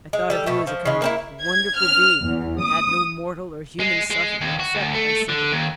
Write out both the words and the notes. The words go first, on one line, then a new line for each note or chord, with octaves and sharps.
I thought of you as a kind of wonderful being that had no mortal or human suffering except by sympathy.
G#3
G3 A4
B2 A3
F3
C#3 G#3
A#3 C4 E4
G#6
F6
E2
D#6
G#3
G#3
D#2
F#4
D2
A3
D3
D#2